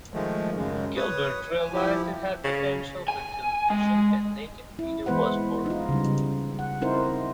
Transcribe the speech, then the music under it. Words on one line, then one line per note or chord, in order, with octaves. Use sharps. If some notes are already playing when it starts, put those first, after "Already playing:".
Gilbert realised it had potential for television and "Naked Video" was born.
D#3 F3 G#3 A3
F#2 C#3 G#3
B4 C#5 D#6
G#5
F3 E4 G4
C#3
G#5
G#3
E4
E3 G#3 B3 B4 C5 F#5
D#4 F4
C#3 G3
F#5
C4 D#4 E4 A#4 C5